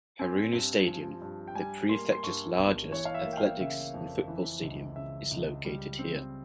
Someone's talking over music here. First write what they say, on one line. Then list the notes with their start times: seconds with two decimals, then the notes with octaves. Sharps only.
Haruno Stadium, the prefecture's largest athletics and football stadium, is located here.
0.19 C4 G#5
0.53 G2
0.87 F3
1.22 G2
1.48 G5
1.55 G3 G#5
1.89 A#3 C6
2.12 C6
2.23 G2 C#6
2.58 G1
2.92 E3 C#5
3.05 F5
3.14 E5
3.26 A#3
3.33 G5
3.37 F5
3.60 C#3 E5
3.94 F2
4.28 E3
4.62 C#2
4.96 C#3 E5
5.31 C#2
5.65 G3
5.99 C4